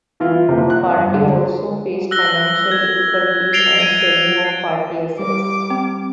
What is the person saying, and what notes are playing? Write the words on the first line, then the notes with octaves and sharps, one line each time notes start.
The party also faced financial difficulties and selling of party assets.
E3 E4 F4
C3 F3 A#3
F#6
G2
D3
E6 F#6 A#6 G7
G#6
A6 C7 D7 F7 G7
G#6 D7 D#7
G3 D6
C4